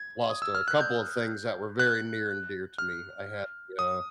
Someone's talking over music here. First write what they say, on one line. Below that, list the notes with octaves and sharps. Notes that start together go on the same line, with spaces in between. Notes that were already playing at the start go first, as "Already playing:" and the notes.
lost a couple of things that were very near and dear to me, I had, uh
Already playing: G#6
D#6
E6
F6
F#6
G6
F#6
F6
D#6